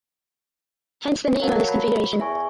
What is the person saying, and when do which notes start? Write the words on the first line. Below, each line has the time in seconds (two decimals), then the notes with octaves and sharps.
Hence the name of this configuration.
1.41 F#3 A#4 F5 A5
1.68 B5
2.20 E2 E5 G#5 C#6